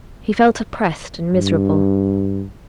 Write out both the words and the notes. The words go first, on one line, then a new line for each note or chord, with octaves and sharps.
He felt oppressed and miserable.
G2